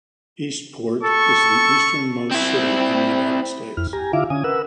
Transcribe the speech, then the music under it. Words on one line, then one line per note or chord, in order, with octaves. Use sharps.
Eastport is the easternmost city in the United States.
A4 C#6
C4 E4
F2 E4 F6
G4 G#5 A#5
D3 E4 F4 E5 F5 D6
D3 C#4 G#5 D#6
A#4 B4 F#5 E6